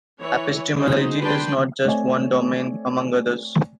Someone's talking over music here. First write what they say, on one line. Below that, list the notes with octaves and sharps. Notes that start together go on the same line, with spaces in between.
Epistemology is not just one domain among others.
E3 C#5
D#4 F#4 G#4 C5
D4 B4 G5 C6
A3 C4 C#5 D5 G#5